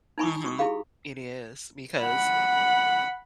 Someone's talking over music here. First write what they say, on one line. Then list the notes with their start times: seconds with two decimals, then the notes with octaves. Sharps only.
Mhm. It is, because,
0.18 D#4 E4 G#5 B5 C#6 D#6
0.44 F#4 C#6 D#6
0.58 E4 G4 G#4 F5 B5
2.00 F#5 B5